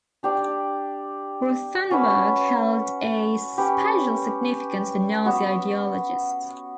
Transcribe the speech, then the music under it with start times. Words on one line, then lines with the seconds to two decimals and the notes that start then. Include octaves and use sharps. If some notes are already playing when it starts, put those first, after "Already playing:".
Rothenburg held a special significance for Nazi ideologists.
0.23 D4 G4 D5
1.91 C#4 F#4 B4 E5
3.58 C#4 G4 B4
5.26 B3 F#4 C#5 E5